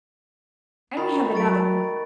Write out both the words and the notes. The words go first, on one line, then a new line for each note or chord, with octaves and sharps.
And we have another.
D#3 B5 A6
F#3 C#6 A6 D7